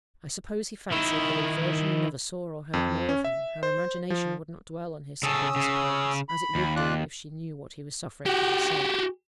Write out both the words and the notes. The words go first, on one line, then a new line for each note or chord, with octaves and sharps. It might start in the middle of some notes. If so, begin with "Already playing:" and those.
I suppose he fancied that, if Virginie never saw or heard more of him, her imagination would not dwell on his simple disappearance, as it would do if she knew what he was suffering for her sake.
D#3 E4
F2
C#4
E5
C5
F3
C#3 C#4 A4 D#6 E6
C#3
B5
D#2
F4 D5 F#6
F#4 G4